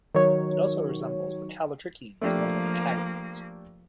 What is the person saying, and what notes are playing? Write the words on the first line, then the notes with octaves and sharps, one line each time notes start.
It also resembles the callitrichines more than the catarrhines.
D#3 F#3 C#5
F3 A3 A#3 D4 G4